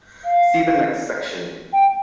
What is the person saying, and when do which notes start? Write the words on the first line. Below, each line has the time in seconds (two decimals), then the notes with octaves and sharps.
See the next section.
0.25 F5
1.73 G5